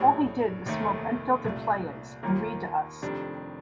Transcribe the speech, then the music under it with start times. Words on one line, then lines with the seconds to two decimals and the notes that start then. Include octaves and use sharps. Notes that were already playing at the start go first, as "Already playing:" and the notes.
All he did was smoke unfiltered Player's and read to us.
Already playing: A#1 A2 G3
0.66 F1 D#2 D#3 A3
1.44 C2 A#2 A3
2.23 D#2 D#3 A#3 F4
3.02 F1 F2 D#3 G3 D4